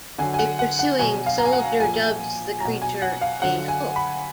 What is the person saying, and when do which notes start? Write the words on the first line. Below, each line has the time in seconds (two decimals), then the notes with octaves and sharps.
A pursuing soldier dubs the creature a "hulk".
0.18 D3 G#5
0.22 F#3
0.34 G#5
0.39 F#5
0.59 F#5
0.79 F#5
0.99 B2 F#3 G#5
1.26 F5
1.38 A#5
1.45 G#5
1.53 F#5
1.80 A#2 F3 G#5
2.60 B2 F#3 A#5
2.82 G#5
3.02 F#5
3.21 F5
3.42 D3 F#3 F#5
3.68 G#5
3.96 B5